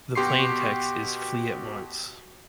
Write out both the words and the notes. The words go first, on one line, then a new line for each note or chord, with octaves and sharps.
The plaintext is "Flee at once".
B2 F#4 G4 C6 C#6 C7